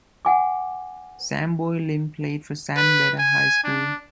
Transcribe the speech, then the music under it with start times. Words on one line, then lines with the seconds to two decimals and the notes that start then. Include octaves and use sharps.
Samboy Lim played for San Beda High School.
0.25 F#5 G#5 D6
2.76 B4
3.19 G#5
3.64 D4